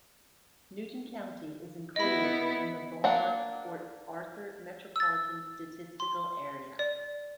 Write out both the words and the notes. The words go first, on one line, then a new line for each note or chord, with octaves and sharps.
Newton County is included in the Beaumont-Port Arthur Metropolitan Statistical Area.
B3 E4 D#5 B5
A#3 D4 F#5
E6 A6
C6
D5